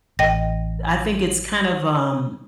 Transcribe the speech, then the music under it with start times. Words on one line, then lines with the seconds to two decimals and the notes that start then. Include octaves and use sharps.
I think it's kind of, um d
0.19 A1 D#5 G5 A#6